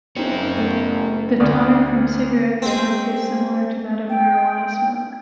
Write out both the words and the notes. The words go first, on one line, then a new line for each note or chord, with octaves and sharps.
The tar from cigarette smoke is similar to that of marijuana smoke.
F#1 C4 C#4 D#4 F#4
A3 B3
D2 D5 D#6 F6
G#3 C4
G5